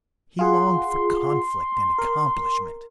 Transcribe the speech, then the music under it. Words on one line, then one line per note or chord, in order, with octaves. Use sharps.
He longed for conflict and accomplishment.
F4 G#4 F#5 C6
A#4